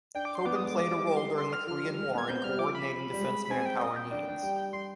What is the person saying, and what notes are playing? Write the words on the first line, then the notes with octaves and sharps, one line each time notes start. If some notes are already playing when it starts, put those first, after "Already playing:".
Tobin played a role during the Korean War in coordinating defense manpower needs.
D4 G5
D6
C6
B3 D6
D#6
G#3
D6
G#3
G3
D6
C6
C6
F6
F3 F6
G3
G#3
B3
G#6
C4 G6
G3 F6
F3 D6
B5
G3
G#3
B5
C4 G#5
G5
D#5
G5
D4
D4
G3
G3 C6